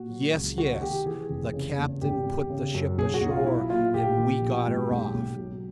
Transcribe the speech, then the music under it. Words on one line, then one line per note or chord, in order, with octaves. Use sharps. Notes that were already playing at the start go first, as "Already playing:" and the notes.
"Yes, yes; the captain put the ship ashore and we got her off."
Already playing: A#2 F#4
F#3
C#2
D#3 F#4
C3 G4
E3 G#4
F1
C#3
E2
G#1 G4
G#1
C#3
F#2
B1 G#4
F#4
B1
F4
F#3 E4
A#2 F4
A#1 G4
A#1
F3
G#2
B1
B1
F#3